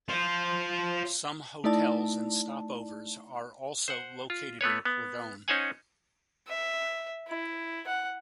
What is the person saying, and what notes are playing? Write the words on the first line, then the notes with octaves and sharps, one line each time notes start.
Some hotels and "stop overs" are also located in Cordon.
F4 C5
A3 D#4 E4 D5 A5
C5 F#5
F4
A3 B3 B4 C#5
B3
C#4 D#4 C5 C#5 F#5 G#5
E5
E4
F#5